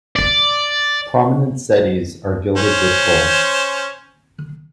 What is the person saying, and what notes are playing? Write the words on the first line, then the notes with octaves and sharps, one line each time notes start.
Prominent zedis are gilded with gold.
D5
C#4 C5